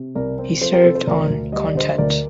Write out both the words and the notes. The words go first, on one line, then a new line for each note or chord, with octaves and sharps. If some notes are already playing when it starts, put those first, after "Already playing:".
He served on "Content".
Already playing: C3
C2 A#4 D5
C4
F3 A4 C5
G4 A#4
C3 A4 C5
A4 C5
D2 A#4 D5
D2
G3 D#5
D5
D3 C5 D#5
D2 A#4 D5